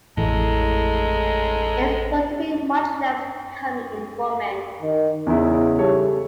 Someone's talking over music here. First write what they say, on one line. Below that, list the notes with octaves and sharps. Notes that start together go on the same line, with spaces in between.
It is thought to be much less common in women.
A1 F2 A2 E3 G#3 A3 A4 A#5
D#3
E2 C#3 D#4 E4
G3 A4 C#5